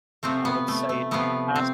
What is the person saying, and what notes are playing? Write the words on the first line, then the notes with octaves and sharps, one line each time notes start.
I would say it has
C3 F3 A3 C4
B3
A3
A3
C3 F3 A3 B3
C4